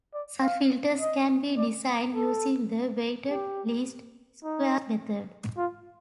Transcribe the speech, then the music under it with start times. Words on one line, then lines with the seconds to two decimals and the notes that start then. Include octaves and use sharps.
Such filters can be designed using the weighted least squares method.
0.14 D5
0.42 F5
1.00 D#5
1.57 D5
2.14 A4
3.29 G4
4.44 D#4
5.57 F4